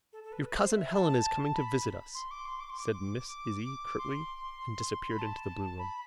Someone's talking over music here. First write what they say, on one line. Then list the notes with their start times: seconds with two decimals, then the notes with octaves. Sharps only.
"Your Cousin Helen is coming to visit us," said Miss Izzie, curtly, and disappeared into the Blue-room.
0.13 A4
0.24 A4
0.32 B4
0.54 C5
0.73 E5
0.94 A5
1.55 B5
2.15 C6
2.31 D6
2.45 C6
2.60 D6
2.69 C6
2.77 D6
3.98 C6
5.11 B5
5.19 A5
5.79 B5